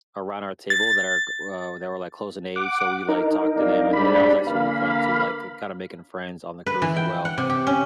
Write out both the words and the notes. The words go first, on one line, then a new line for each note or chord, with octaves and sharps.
around our table that are g uh, that were, like, close in age, so we, like, talked to them, and and that was actually really fun too, like, k kinda making friends on the cruise as well
A6
F#5 D6
D#4 A#4
C2 D5 F5
G#2 G3 D4 B5
D3 E3 A#3 F5 B5
B4
E3
G5
F#5
C3
G4
C#4